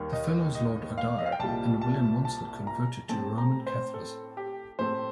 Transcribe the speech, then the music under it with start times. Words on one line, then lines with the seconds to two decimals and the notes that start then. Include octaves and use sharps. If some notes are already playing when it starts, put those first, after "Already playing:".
The Fellows Lord Adare and William Monsell converted to Roman Catholicism.
Already playing: D#2 D#3 G3
0.13 D#5
0.55 D#5
0.98 F5
1.19 D#5
1.26 F5
1.32 G5
1.39 C2 A#2 G3 A5
1.81 A5
2.25 A5
2.67 A#5
3.09 A2 A3 C4 A5
3.38 A#5
3.67 C5
3.94 A4
4.37 G4
4.79 A2 A3 C4 C5